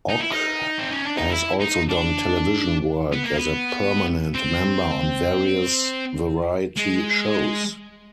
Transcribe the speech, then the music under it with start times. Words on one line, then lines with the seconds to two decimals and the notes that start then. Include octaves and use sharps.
Ock has also done television work as a permanent member on various variety shows.
0.09 D#4
0.20 E4
0.31 D#4
0.79 C4
0.91 C#4
1.05 D4
1.18 D#4
1.30 E4
1.61 D#4
1.90 D4
3.12 B3
3.24 A#3
3.36 B3
4.34 C4
6.77 G#3